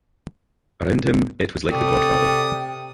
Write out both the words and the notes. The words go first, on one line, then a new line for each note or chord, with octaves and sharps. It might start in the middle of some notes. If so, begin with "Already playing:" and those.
Around him it was like "The Godfather".
C3 A3 D5 G5 D#6